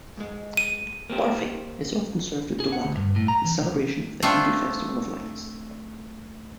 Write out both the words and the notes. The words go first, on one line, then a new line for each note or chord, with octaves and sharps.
Barfi is often served at Diwali, the celebration of the Hindu festival of lights.
G#2 G#3
D#7
A#3 C4 G4
G#4
F#5
D2
G2
A2
A#5
E3
C#2
A3 C4 D4 F4